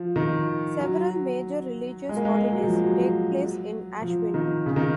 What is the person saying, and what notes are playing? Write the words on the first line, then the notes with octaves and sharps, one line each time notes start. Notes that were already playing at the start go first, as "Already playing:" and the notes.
Several major religious holidays take place in Ashvin.
Already playing: F3
D#3
F#3
G#3
A#3
G#3
G#3
F#3
F3
F#3
F3
D#3
C#3
D#3